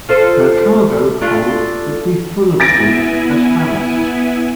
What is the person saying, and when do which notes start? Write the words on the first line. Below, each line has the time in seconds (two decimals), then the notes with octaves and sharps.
Her cargo hold would be full of salt as ballast.
0.09 F4 A4 C5
1.21 A3 D4 F4
2.60 B3 E4 G#5 A6 A#6 D7